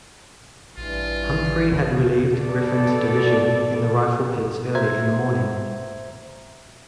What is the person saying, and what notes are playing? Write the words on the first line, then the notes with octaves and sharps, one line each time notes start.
Humphrey had relieved Griffin's division in the rifle pits early in the morning.
A1 G2 E3 F4
E2 C#3 E3 A3
B2 B3 A4 D5
C5 E5 A#5 G#6